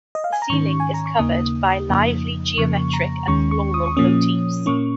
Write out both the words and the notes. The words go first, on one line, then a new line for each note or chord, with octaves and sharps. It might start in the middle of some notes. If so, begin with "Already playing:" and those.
The ceiling is covered by lively geometric and floral motifs.
D#5
F5
G#5
A#5
G#2 D#3 C#4 C#6
G#5
A#5
C#6
D#2 C#3 A#3 D#4 D#6
F2 C#3 F3 A#3 D#4
F2 C#3 F3 A#3 C#6
A#5
D#2 D#3 G#3 C#4 C#6
C#6
D#6
C#6
A#2 F3 A#3 C#4 D#6
A#2 A#3 C#4 C#6